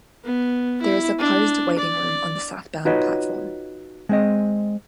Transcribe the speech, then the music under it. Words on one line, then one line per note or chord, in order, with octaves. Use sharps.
There is a closed waiting room on the southbound platform.
B3
E4
D4
D5
D#4 F4 F#4 B4 C#5 D#5
G#3 C4 D#5